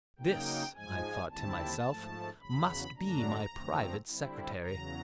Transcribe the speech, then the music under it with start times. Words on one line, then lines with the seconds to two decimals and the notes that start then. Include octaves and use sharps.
This, I thought to myself, must be my private secretary.
0.19 C#3 F#3 A#3 D#4 G5
0.75 G#2 F3 G#3 G#5
1.30 D#2 D3 G3 C4 E4 A5
1.85 G#2 F3 A3
2.41 E2 C#3 F#3 B5
2.97 F#2 D3 F#3 A3 D4 A#5
3.51 F#2 D3 F3 A3 C4
4.07 D3 G3 C4 E4
4.62 E2 C#3 F#3 A#5